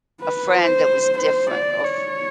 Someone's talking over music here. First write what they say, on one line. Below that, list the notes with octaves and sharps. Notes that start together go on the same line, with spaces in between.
a friend that was different or f
B4
C5
C5
D5
C#5